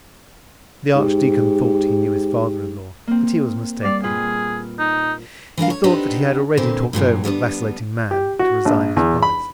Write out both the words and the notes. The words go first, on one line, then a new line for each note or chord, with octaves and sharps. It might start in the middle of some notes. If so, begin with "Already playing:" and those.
The archdeacon thought he knew his father-in-law, but he was mistaken; he thought that he had already talked over a vacillating man to resign his promise.
G#2 G4
A#3 C4
G3 D5 F5
A#2 F4 G#4 B4
D#4
E3 D4 A#4 F5
C#5
B3 C4 D4 D#4 G4 B4
A#2 D3 E3 C4
G2 A#2 D3 F#3
D2 G3 B3 D4
G4
F#4
A#1
E2
B5